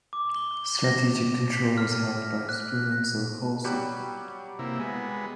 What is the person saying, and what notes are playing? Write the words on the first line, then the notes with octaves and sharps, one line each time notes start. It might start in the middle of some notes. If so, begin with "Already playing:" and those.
Strategic control was held by Spruance or Halsey.
D6
G7
A#6
B6
F6
A#6
F#6
F#3 G3 G4
C3 A#3 E4
G#3 B3